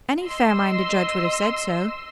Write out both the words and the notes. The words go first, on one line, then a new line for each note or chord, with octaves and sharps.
Any fair-minded judge would have said so.
D#5 C6 E6